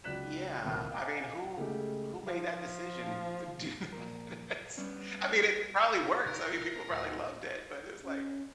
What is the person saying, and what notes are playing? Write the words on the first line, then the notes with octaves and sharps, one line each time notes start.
Yeah. I mean, who who made that decision to do that, it's I mean, it probably works. I mean, people probably loved it, but it was like,
C#2 F#3 D5 F#6 B6 E7
D#1 C2 A#4
D#5 F5 G5 G#5 A#5 D6
C#3 G#3 A3 G4
F3
A#2 F3 A#4
G3 B3 C#4 D4
A#4
D1
C#4